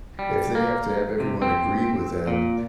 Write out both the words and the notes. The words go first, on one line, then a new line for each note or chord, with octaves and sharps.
If they have to have everyone agree with them
G3
A#3
C3
C4
A#2